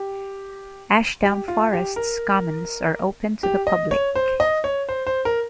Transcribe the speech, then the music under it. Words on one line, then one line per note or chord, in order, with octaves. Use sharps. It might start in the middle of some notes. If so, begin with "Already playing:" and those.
Ashdown Forest's commons are open to the public.
Already playing: G4
G4
F4
G4
A#4
G4
D#5
C#5
C5
D#5
C#5
C5
C5
A#4